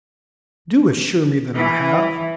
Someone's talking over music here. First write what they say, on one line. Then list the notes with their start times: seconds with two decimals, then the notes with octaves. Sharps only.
Do assure me that I have.
1.56 E3